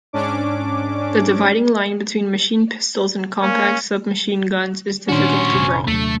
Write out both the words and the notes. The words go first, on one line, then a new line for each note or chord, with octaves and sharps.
The dividing line between machine pistols and compact submachine guns is difficult to draw.
G#2 C#4 D4 D6
A#3 C#4
A#2 D#3 C#4 D4 F#4 C5
F1 C3
D#2 C3 F#3 A3